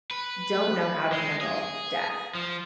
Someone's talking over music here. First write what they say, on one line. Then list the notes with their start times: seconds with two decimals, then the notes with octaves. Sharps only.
don't know how to handle death
0.11 B4
1.13 G#3
1.41 G#4
2.35 F3